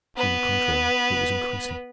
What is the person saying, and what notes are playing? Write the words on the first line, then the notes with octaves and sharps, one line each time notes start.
On the contrary, it was increasing.
B3 B4